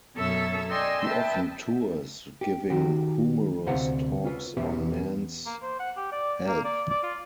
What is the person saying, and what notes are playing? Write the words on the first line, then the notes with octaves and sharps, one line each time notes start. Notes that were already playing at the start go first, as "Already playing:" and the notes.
He often tours giving humorous talks on men's health.
F#2 B2 A4 C#5 E5 E6
D5 D#5 G5 G#5 C6 E6
B4 E5 G5 A5
G4
D#3 F#4 G4
D2 C3 C5 F5 F#5 A#5
C#4 F4 B4
E2 B2 C#4 G4 B4 E5
A#3
C5
F#5
G4
D5
A#3
D5
D5
F4